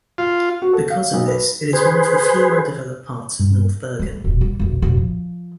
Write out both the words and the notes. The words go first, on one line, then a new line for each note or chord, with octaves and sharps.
Because of this, it is one of the few undeveloped parts of North Bergen.
F4
F#4
A4
F5
B1
B4
G#4 B4 C5
G2
G3 A3
D#1 B2
G3
E1 B1
E1 A1
F3